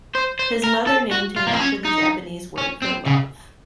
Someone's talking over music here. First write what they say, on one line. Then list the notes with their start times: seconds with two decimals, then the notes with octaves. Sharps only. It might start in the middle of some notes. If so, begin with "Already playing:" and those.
His mother named him after the Japanese word for "love".
0.15 C5
0.39 C5
0.64 A#4
0.87 A4
1.12 F#4
1.37 F4
1.47 A#3
1.53 C4
1.60 C#4
1.85 D#4
2.58 C#4
2.82 C4
3.06 C#3